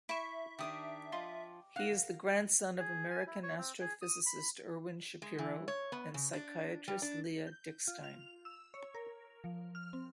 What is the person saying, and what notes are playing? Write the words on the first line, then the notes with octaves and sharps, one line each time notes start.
He is the grandson of American astrophysicist Irwin Shapiro and psychiatrist Leah Dickstein.
E4 E5 C#6 D7 E7
D#3 D4 G4 D#6
F3 F4 D#5 F5 C6
A#4 F5 F#5 F#6
G#4
G#5
E4
C#5
C4
G#4
D#6
B5
G#3
E3
C#5
B3
C#3
D4
G3
D4
G6
F4
F7
E6
C#5
A#4
F3
F6
C4